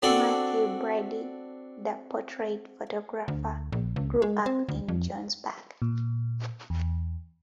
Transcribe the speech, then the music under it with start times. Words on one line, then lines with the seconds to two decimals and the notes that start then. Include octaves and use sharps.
Mathew Brady, the portrait photographer, grew up in Johnsburg.
0.03 C4 D4 F#4 A4 D5
3.28 D2
3.72 A#1
3.96 C#2
4.22 G#3
4.46 C4
4.69 D2
4.88 F2
5.82 A#2
6.70 E2